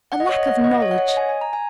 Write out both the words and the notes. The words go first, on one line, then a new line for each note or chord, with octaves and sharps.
A lack of knowledge.
F#5
D#5
C#5
D#5
F#5
D#5
C#5
F#5
C#5
D#5
G#5
G#5
A#5
G#5